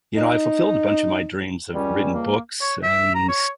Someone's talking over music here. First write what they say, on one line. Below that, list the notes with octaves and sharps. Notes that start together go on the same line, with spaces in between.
you know, I fulfilled a bunch of my dreams. I've written books and
D#4
C#2 G3 C#4
A#3
C#5
E5
A#5
C#5